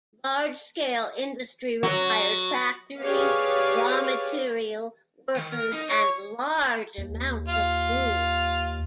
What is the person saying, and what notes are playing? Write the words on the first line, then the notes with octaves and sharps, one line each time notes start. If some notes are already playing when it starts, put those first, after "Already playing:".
Large-scale industry required factories, raw material, workers, and large amounts of food.
F#3
G4 G#4 B4 C#5 D5 F5
D#3
A#4
D#4
C#5
D#2
F4